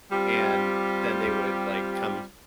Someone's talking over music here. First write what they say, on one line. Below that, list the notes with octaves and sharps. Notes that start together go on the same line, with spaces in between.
And then they would, like, come
G3 C4 F4 G4